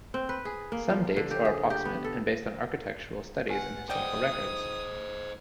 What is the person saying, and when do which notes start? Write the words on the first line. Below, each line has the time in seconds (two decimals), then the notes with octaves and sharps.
Some dates are approximate and based on architectural studies and historical records.
0.14 C4
0.29 B4
0.45 G#4
0.72 A#3
0.90 F3
1.16 D3
1.31 G4
1.45 G#4
1.70 G4
1.85 B3
2.04 A4
3.49 G4 B4 F#5 G#5
3.90 B2 C5 D5 D#5 G5 D#6